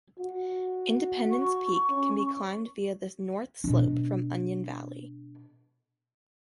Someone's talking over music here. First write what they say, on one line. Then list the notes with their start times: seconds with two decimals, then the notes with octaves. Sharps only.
Independence Peak can be climbed via the north slope from Onion Valley.
0.19 F#4
1.31 C#6
1.90 C#4
3.64 B2 D4